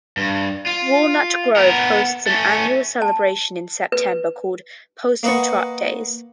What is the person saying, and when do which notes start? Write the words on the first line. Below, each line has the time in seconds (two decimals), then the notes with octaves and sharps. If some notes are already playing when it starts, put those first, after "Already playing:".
Walnut Grove hosts an annual celebration in September called 'Possum Trot Days.
0.17 G2
0.66 F4
1.56 B3 A#4
2.27 A3 C#4
3.02 A5
3.92 B4
5.23 A#3 B4 D#5 F#5 C#6